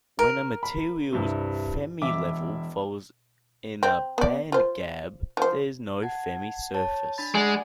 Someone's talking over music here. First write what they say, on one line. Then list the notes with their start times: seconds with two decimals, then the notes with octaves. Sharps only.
When a material's Fermi level falls in a bandgap, there is no Fermi surface.
0.19 A#4
0.63 B5
1.12 C2 G2 C3
2.02 E1 E5 D6
3.83 C4
4.18 B3 D5
4.52 F4 C5
5.37 F3 C5
6.02 F#5 A5 G#6
6.74 C#5 A5
7.18 D4 B5 A6
7.35 G#3 D5 F#5 G#5